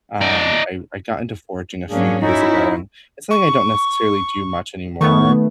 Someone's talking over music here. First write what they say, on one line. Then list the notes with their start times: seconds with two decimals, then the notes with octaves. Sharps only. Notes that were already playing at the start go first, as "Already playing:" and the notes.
um, I I got into foraging a few years ago, and it's something I don't necessarily do much anymore,
0.21 D#4 D5
1.90 G#2 F#3 A#3 C#4 D4 G#4
2.20 C#4 D#4 E4 F#4
3.31 C#6
5.01 D#3 A3 B3 C#6